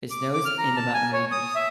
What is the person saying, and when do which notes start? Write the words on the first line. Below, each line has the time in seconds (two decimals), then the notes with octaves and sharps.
It snows in the mountain ranges.
0.11 D6
0.34 D6
0.45 F6
0.58 A#5
0.76 A5
0.94 G#5
1.13 C#5
1.32 D#6
1.55 E5